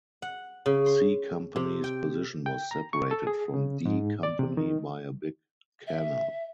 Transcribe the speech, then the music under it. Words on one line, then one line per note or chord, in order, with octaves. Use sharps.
C Company's position was separated from D Company by a big canal.
F#5
C#3
C6
C3
G5
G5
A#5
C#6
A4
G#4
C#3
G#2
D5
C3
D#3
E5